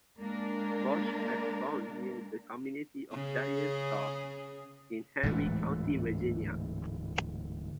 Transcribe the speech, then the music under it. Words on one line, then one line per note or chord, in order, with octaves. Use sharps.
Burch was born near the community of Dyer's Store in Henry County, Virginia.
G#3 A#3 D4 A#4
C#3 G#4
D1 G#2 E3 A3